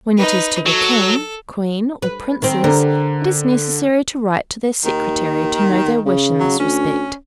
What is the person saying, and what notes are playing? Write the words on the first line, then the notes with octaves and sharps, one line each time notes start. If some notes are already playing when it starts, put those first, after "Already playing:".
When it is to the king, queen, or princes, it is necessary to write to their secretary, to know their wish in this respect.
D#4 B4
F#3 A4
B4
D#3 C4
D3 A#4
D#2 D#3
C#3
F#3
D2 C#4